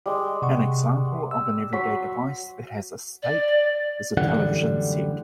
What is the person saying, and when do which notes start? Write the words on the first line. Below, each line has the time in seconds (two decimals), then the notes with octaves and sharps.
An example of an everyday device that has a "state" is a television set.
0.06 G3 G#3
0.42 C3 F#5 C#6
1.31 E6
1.73 F#3 C#5 C6 B6
3.22 D5
4.17 F#2 A2 D3 E3 G3 F#5